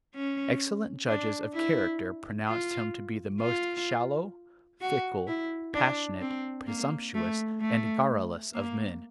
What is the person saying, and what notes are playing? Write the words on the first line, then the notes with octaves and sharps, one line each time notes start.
Excellent judges of character pronounced him to be the most shallow, fickle, passionate, presumptuous, and garrulous of men.
C#4
D4
E4
F4
F4
F#4
E4
D4
C4
A#3
A3
A3
A#3